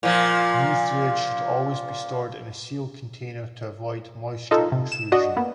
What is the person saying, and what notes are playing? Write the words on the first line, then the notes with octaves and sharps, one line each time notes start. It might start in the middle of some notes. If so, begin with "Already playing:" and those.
New fluid should always be stored in a sealed container to avoid moisture intrusion.
A#2 F3
D#4 F4 A4
C3
E7
D4 F#4 D#5
A#3 B3